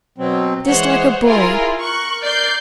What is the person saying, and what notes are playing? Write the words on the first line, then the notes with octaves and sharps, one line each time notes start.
Just like a boy!
B2 F#3 C4
E3 G#3 C5 C#5 F#5
E4 F4 G#4 A#4
A#4 C#6 F#6
D5 G6 C7